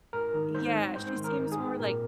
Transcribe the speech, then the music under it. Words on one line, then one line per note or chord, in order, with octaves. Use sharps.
Yeah, she seems more, like,
G#2 A#4
D#3
G#2 C5
C4
G#2 C5
D#3
A#4
G#2
G#4
C4
A#2 A#4